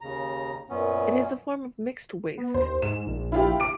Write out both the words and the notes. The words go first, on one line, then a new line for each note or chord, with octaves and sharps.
It is a form of mixed waste.
D#2 C#3 A#5
F#2 A#2 B3 C#4
B3
D#2 C5
G#2 E7
A#1
E4 F4 G4
D6 D7